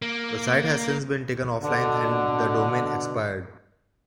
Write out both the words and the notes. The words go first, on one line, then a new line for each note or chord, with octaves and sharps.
The site has since been taken offline and the domain expired.
A#3
B2 D3